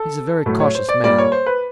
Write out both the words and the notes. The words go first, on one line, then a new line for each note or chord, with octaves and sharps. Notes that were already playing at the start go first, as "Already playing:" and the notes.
He's a very cautious man.
Already playing: A4
A2 F#3 A3
C#5
C5
D5
A#2 G3 A#3 D5
C#5
C5
B4